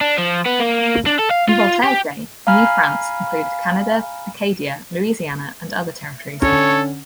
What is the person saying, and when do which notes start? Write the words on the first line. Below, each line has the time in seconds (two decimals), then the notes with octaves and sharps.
In Voltaire's day, New France included Canada, Acadia, Louisiana, and other territories.
0.01 D4
0.18 F3
0.46 B3
0.60 A#3
1.07 D4
1.19 A4
1.31 F5
1.49 F4
1.83 G4
2.47 F5 G#5 A#5 B5 F6
6.42 D3 C#4 A4 C#5